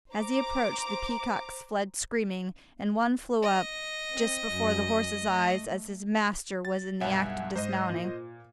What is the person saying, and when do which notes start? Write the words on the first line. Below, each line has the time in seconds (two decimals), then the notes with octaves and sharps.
As he approached, the peacocks fled screaming, and one flew up just before the horse's eyes as his master was in the act of dismounting.
0.12 C5 A#5 D6
3.42 D#5
4.12 C4
4.51 F#2
5.18 A3
6.65 A6
7.01 B1 G2 E5 F#5 G#5
7.56 G#2 C5 D#5
7.90 A#2